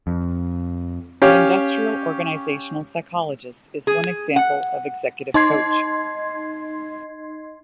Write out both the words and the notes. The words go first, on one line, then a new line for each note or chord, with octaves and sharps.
An industrial organizational psychologist is one example of executive coach.
F2
C#4 G4 C#5 F5
G#4
F#5
D#4 D#5 C6 G#6 C7